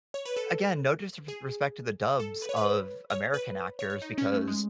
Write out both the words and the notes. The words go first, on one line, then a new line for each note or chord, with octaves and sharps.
again, no disrespect to the dubs of American actors because,
C#5
B4
A4
G#4
A4
B4
C#5
B4
C#5
B4
C#5
C#5
D#4
C#4
A3
G#3